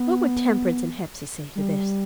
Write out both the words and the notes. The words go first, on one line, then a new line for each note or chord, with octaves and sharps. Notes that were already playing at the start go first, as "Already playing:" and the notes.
"What would Temperance and Hepsey say to this?"
Already playing: B3
G3